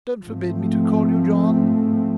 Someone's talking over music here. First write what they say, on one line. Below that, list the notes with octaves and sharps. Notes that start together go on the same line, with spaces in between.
Don't forbid me to call you John.
G#2 F3 A3 C4